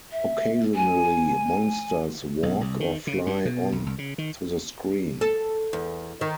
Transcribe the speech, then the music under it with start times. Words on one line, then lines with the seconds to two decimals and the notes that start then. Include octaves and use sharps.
Occasionally, monsters walk or fly on to the screen.
0.11 E5
0.74 G#5
2.43 B1
2.61 C2
2.80 D#3
3.07 C#3
3.26 G2
3.45 B2
3.72 B1
3.86 C2
3.98 C#3
4.18 D#3
5.21 A4
5.73 E2
6.21 D#3